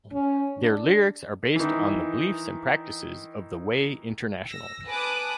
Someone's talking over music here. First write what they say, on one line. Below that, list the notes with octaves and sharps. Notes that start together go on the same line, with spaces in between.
Their lyrics are based on the beliefs and practices of The Way International.
C#4
D4
D#3 E3
E6 A#6
B4 G#5 A5 D6 D#6 F#6